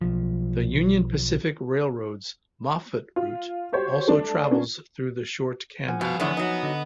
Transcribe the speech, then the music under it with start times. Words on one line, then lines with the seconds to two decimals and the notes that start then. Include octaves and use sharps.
The Union Pacific Railroad's Moffat Route also travels through the short canyon.
0.01 B1 F3
3.16 F4
3.72 F#4 G4 C5 C#5
4.08 A3 D4
4.51 B3 C#4 D4
5.88 F3 F#5 G#5
6.01 C2 B2 F5
6.20 E2 A2 D3 B3
6.37 F#3 D#4
6.63 D3 D#5